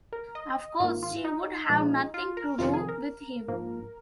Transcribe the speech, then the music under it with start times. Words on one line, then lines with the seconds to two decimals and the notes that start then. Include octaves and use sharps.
Of course, she would have nothing to do with him.
0.13 A#4
0.35 D#5
0.80 G#2 D#3 A#3 F4
1.03 F4
1.24 D#4
1.69 A#2 F3 G#3
2.14 F4
2.37 A#4
2.59 F2 C3 D#3 F4
2.74 G#4
2.88 A#4
3.48 G#2 F3 A#3